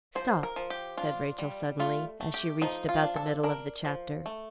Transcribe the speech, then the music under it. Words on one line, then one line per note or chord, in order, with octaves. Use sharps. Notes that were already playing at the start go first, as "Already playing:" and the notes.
'Stop,' said Rachel suddenly, as she reached about the middle of the chapter.
F3 C5
A#4
F3
G4
D4 F4
G3
A3 F4
A3
G4
F3 D#4
F4
D4
A4
D4 A#4
F3
A3